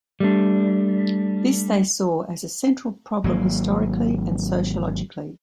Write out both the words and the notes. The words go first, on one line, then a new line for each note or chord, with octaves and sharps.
This they saw as a central problem historically and sociologically.
G3 A3 D4
G#1 F#3 A#3